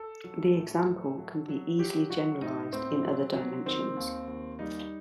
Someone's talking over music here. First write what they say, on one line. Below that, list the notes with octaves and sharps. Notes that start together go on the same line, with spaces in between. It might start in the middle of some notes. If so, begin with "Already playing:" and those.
The example can be easily generalized in other dimensions.
Already playing: A4
F#3
A2
A2
F#3
F#3
F#3 G4
F#3 F#4
A2 D#4
A2 C4
F#3
F#3
D#3 C4
D#2
D#2
G3 D#4